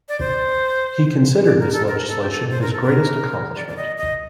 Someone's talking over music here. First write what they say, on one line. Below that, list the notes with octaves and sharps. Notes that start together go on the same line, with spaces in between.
He considered this legislation his greatest accomplishment.
D5
C5
D5
A#4
A4
A#4
A4
G4
A4
C5
A#4
A4
A#4
D5
D5
D#5
D#5